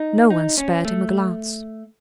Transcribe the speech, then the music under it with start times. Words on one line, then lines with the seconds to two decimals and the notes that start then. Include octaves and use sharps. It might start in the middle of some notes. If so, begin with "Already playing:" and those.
No one spared him a glance.
Already playing: D#4
0.30 D#4
0.58 C#4
0.85 A3